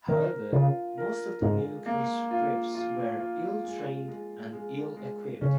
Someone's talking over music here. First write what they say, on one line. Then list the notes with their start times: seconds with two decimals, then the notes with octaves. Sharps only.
However, most the new conscripts were "ill-trained and ill-equipped".
0.08 D#3 A#4
0.52 C#3 F4
0.98 A#4
1.42 G#2 G#3
1.86 A#3
2.31 F4
2.75 F4
3.19 F4
3.63 G#3
4.08 G#3
4.53 G#3
4.97 G#3
5.41 C#3 C#4